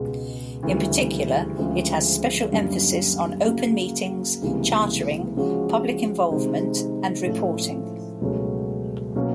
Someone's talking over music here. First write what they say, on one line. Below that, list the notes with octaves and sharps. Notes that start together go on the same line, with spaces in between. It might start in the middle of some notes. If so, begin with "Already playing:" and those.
In particular, it has special emphasis on open meetings, chartering, public involvement, and reporting.
Already playing: C#2 B2 G#3
D2 C#3 E3 G3
D2 C#3 F3 G#3
F#2 D3 G3 A#3
C#3 F#3 A#3
C#2 C3 E3 G3 A#3
C#3 F3 G#3 C#4 F#4
C3 D#3 G#3 C4 D#4
A2 F3 A3 C#4 F4
C#2 B2 F#3 A3 C#4
B2 F#3 A#3 C#4